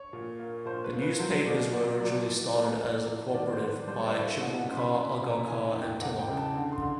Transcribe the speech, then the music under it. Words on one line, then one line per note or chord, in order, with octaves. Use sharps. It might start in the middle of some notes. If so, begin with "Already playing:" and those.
The newspapers were originally started as a co-operative by Chiplunkar, Agarkar and Tilak.
Already playing: C#5
A#2
A#3
A#2 C5
B4
A#3
B4
F#3 C5
B2 D5
B3 D5
F#3 D5
E3
A3
E3
E3
D#3 D5
C5
B3
B4
G3 C5
C#5
D5
E4
F5
B2 F#5
F#5
C#4 C6
B5
B2 C6
B5
B2
A#5
E3 G#5
E2 G5
E2 F#5
G5
C#3
A5
D3
C6
D3